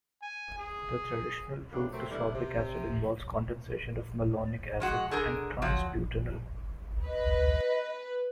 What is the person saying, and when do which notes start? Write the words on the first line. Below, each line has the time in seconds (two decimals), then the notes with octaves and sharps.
The traditional route to sorbic acid involves condensation of malonic acid and trans-butenal.
0.22 G#5
0.59 G#4
1.72 D2 C#3 E3 A#3 D4 G4
1.92 F#3 A3 A#3 C4
2.08 C3 E3 G3 A3 D4 E4
2.33 C3
4.80 F2 G#3 F#4
5.11 D3 G#4 A#4
5.62 F3 F#3
7.07 B4 D#5